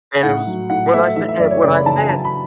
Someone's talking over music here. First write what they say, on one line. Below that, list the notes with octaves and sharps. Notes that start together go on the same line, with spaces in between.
And it was when I sa and when I said
A2 F#5
F#3
A2 F#5
A3 E5
E3 E5
E5
F#2 D5
C#5
C#3 D5
B5
E3 A5
G#5
F#3 A5
B5